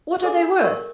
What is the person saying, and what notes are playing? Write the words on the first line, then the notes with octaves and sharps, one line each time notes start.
"What are they worth?"
G#4 A4 D5 G#5 D6
A#4 C#6